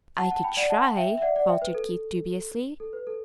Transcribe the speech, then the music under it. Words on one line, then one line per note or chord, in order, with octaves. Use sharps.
"I could try," faltered Keith dubiously.
F#5 A5
F#5 A5
G5 B5
D5 F#5
F#5 A5
E5 G5
E5
D5 F#5
D5 F#5
E5 G5
B4
A4
A4
B4
A4